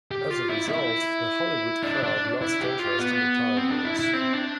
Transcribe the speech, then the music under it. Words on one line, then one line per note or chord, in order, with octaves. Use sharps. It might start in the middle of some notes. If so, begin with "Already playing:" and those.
As a result, the Hollywood crowd lost interest in the Tigers.
G4
F4
E4
E4
D4
D4
E4
G4
F4
B3
C4
D4
E4
E4
C4
D4